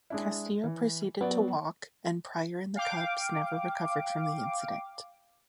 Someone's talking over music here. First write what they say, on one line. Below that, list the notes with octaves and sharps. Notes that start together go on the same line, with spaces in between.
Castillo proceeded to walk and Prior and the Cubs never recovered from the incident.
G#3 D4 E4
E3
F#3 B3 D5
F5 G5 D6